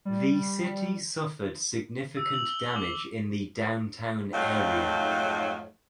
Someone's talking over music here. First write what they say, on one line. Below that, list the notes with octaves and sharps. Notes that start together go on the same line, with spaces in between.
The city suffered significant damage in the downtown area.
G3
E6
F#7
G7
D6
F2 G#2 F3 F#3 A3 D#4